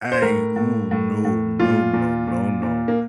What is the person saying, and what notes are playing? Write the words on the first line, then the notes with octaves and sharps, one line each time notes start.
I ooh, no, no, no, no, no,
C5
A2 A#4
A2
A2
A2
A#2 F4
A#2
A#2
A#2
A#3